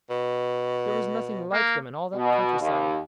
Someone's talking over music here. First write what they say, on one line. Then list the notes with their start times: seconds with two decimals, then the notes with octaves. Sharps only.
There was nothing like them in all that countryside.
0.10 B2
1.53 A#3
2.14 B2
2.59 D#2